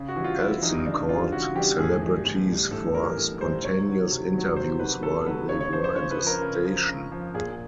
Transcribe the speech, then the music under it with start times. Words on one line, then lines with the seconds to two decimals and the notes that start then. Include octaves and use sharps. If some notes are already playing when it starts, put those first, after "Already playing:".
Elson caught celebrities for spontaneous interviews while they were in the station.
Already playing: C#3
0.08 F#4
0.16 E3 G3
0.24 F4
0.39 C#3 E4
0.63 E3 G3 D#4
0.86 C#3 D4
1.09 E3 G3 F4
1.32 C#3 F#4
1.55 E3 G4
1.59 G3
1.79 A2 G#4
2.02 E3 G3
2.25 A2
2.48 E3 G3
2.71 A2 A4
2.95 E3 G3 A#4
3.17 A2
3.40 E3 G3 C5
3.63 C3 C#5
3.87 D#3 F#3
4.10 C3
4.33 D#3 F#3
4.56 C3 C5
4.80 D#3 F#3 B4
5.03 C3 A4
5.26 D#3 F#3 B4
5.49 C#3 C#5
5.61 C#5
5.73 F3 C5
5.84 C5
5.96 C#3 C#5
6.11 B4
6.19 F3
6.27 A#4
6.42 C#3
6.65 F3
6.88 C#3
7.12 F3
7.34 A#2 G#4